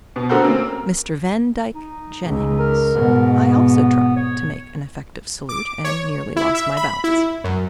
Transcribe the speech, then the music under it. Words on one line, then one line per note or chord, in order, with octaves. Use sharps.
"Mr. Vandyck Jennings"--I also tried to make an effective salute and nearly lost my balance.
B2
D3 A3 F#4 A4 A#4 C5
A#3 C4 C#4
A#4
D#4
C#2
A#4
G#2 B2
B3
C#5
D6
C#5
E4
E5
B5
E4
F#2